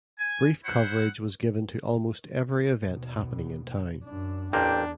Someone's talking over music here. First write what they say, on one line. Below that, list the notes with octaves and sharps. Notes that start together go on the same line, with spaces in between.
Brief coverage was given to almost every event happening in town.
G#5
E4 C5 F#5
D#2 B2
F#2 D4
A1 E2 A#2 A#3 D4 G5